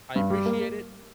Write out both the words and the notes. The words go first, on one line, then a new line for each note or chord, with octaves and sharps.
I appreciate it,
G2
G3
A#3